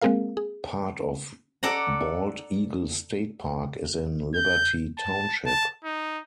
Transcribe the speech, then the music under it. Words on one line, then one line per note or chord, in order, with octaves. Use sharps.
Part of Bald Eagle State Park is in Liberty Township.
G#3 A#3 C4 G#4 A#4 F5
G#4
A4 D5 F#5 A#5
G6
A5
A5
D#4